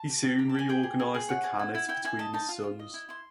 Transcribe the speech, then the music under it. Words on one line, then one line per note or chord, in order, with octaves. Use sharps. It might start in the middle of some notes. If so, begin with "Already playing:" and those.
He soon reorganized the khanate between his sons.
Already playing: A5
G4
G4
G4 A#5
A5
G4 G#5
G#4 G5
G#4
G#4
G#4
C#5 F#5
G#4
E4
E4
E4 G5
E4 G#5
D#5 A5
D#4 A5
F4
F4
D#5
E4
E4 C6